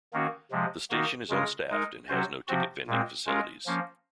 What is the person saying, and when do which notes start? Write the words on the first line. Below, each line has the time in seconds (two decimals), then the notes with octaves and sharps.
The station is unstaffed, and has no ticket vending facilities.
0.13 D#3 A#3 C#4 F#4
0.51 C3 F3 G#3
0.90 D#3 A#3 D#4 F#4
1.30 C#3 G#3 C#4 F4 A#4
1.70 G#3 D#4 A#4
2.09 C3 F#3 C#4 F#4 C5
2.48 C3 F3 C4 F#4
2.87 A#2 G#3 C4
3.27 G#3 C#4 F4 A#4
3.66 F3 A#3 C#4